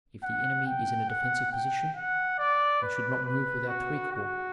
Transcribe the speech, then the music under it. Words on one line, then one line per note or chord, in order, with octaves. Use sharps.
If the enemy is in a defensive position, I should not move without three corps.
F#5
G5
F#5
G5
F#5
D5
B4
B4
F#4
F#4